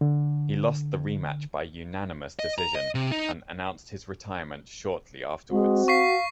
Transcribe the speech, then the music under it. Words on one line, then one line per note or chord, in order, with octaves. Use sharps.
He lost the rematch by unanimous decision, and announced his retirement shortly afterwards.
D3
D#5
A#5
D#5
C3
D#4
G#3 C4 F#4
F5 C#6 B6 C7